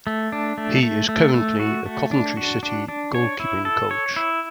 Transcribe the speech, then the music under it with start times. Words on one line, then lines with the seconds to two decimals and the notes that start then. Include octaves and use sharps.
He is currently a Coventry City Goalkeeping coach.
0.07 A3
0.32 D4
0.58 A3
0.83 A3
1.09 A3
1.34 A3
1.60 F#4
1.86 A3
2.11 D4
2.37 F#4
2.63 D4
2.88 D4
3.14 C#5
3.40 E4
3.65 A4
3.91 C#5
4.16 E4